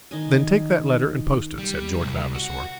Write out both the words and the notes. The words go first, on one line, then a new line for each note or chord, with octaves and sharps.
"Then take that letter and post it," said George Vavasor.
D#3 D#5 G#5
G3
C2
F#4